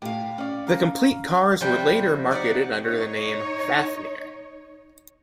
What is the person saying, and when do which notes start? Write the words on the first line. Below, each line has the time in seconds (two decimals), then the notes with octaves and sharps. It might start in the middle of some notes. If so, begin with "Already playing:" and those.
The complete cars were later marketed under the name "Fafnir".
0.02 A2 G4 F5
0.38 C#4 D5 F5
0.67 F5 A#5
1.61 C3 F3 G3 C5 E5 G5
2.31 D#4 D5 E5 F#5
2.85 D#4 C#5